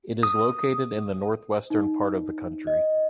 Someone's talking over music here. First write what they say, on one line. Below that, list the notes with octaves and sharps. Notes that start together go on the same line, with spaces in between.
It is located in the northwestern part of the country.
D#6
D#4
D#5